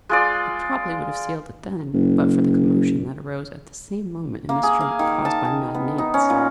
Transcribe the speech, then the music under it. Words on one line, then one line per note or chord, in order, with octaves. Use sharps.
He probably would have sealed it then, but for the commotion that arose at the same moment in the street caused by Mad Nance.
G#3 F4 D5
F#1
A#3
G#4
F5
D#3
A5
G#4
B3
D#4
C#4
A#2